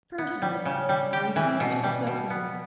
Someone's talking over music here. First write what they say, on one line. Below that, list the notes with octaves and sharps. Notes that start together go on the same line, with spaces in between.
Personally, I refuse to discuss the matter.
B3
G3
C#3
G3
G4
E3
B2
G3
B2
B3